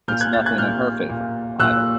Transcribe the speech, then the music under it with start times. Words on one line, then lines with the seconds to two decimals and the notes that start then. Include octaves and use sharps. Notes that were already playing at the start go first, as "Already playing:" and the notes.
It’s nothing in her favour, either.
0.08 A#2 F6 G6
0.21 F#6 G#6
0.33 G6 A6
0.46 F#6 G#6
0.58 A#2 F6 G6
1.09 A#2
1.59 A#2 E6 F#6